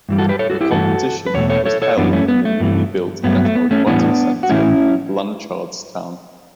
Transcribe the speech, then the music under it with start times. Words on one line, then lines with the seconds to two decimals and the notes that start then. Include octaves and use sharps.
The competition was held in the newly built National Aquatic Centre in Blanchardstown.
0.09 G2 E3 G3
0.18 F#4 A4
0.29 G4 B4
0.39 A4 C#5
0.50 F#4 A4
0.61 E4 G4
0.71 G2 E3 A3 F#4 A4
1.27 B4
1.34 E2 B2 A3 C#5
1.50 A4 C#5
1.65 A4 C#5
1.82 A4 C#5
1.97 F#2 E3 G3 B3 D4
2.13 A3 C#4
2.28 B3
2.45 A3
2.60 G2 E3 A3
3.23 G2 F#3 A3 B3
3.45 A3
3.55 B3
3.71 A3 C#4
3.86 A2 E3 G3 B3 D4
4.43 F#4
4.49 A2 E3 A3 C#4 E4